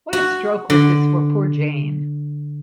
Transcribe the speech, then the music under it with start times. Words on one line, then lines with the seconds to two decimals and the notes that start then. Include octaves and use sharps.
What a stroke was this for poor Jane!
0.13 F#4
0.70 D3